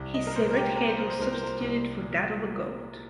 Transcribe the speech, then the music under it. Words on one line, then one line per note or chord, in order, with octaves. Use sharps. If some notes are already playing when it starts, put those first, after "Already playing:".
His severed head was substituted for that of a goat.
Already playing: C2
D#5
A#4
A#2 C5
A#4
G4
A#3 A#4
C5
A#4
C5
C2 A#4
C5
A#4
C2
A#2
A#3